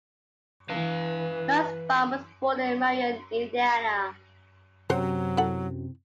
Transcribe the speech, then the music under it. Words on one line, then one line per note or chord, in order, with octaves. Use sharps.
Nussbaum was born in Marion, Indiana.
E3 B4 F5
F#2 C3 F#3 F#4 C5 C#5
E4 A4 F#5